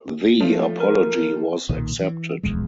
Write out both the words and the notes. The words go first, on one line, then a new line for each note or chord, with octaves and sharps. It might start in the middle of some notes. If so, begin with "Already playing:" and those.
The apology was accepted.
F3 A3
A#4
B1 A#2 D#3
E3
D1 A#1 E2 G#3